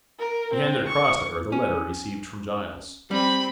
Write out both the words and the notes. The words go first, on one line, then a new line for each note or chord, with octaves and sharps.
He handed across to her the letter received from Giles.
A#4
C4
C#6
C#4
G3 C4 B5